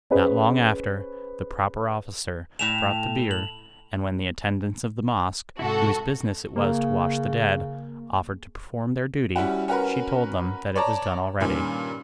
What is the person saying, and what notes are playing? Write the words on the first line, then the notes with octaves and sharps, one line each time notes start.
Not long after, the proper officer brought the bier, and when the attendants of the mosque, whose business it was to wash the dead, offered to perform their duty, she told them that it was done already.
C#4 G#4 B4 C5
A2 A3 G5 E7 F7
F#7
G#2 C3 E4 F#4 A4
C#3 A#3
G3 C#4 E4 F#4
C#4 F#4 A#4 B4
C#5 D5 A5 A#5
G2 A#2 D#3 C#4